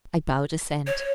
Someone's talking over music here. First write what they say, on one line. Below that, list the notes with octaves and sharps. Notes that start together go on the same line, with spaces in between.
I bowed assent.
C#5